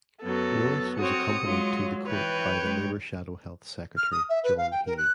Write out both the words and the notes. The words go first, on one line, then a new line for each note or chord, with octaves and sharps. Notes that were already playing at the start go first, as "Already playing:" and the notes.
Woolas was accompanied to court by the Labour Shadow Health Secretary John Healey.
F#2 F#3 B3 A4
C4 F#4 C#5 D#6 C#7
F#3 G#3 F4
E3 B4 C#5 G5
G#3
F6
D#6
E5
B4
F5
G5
A#4
F#6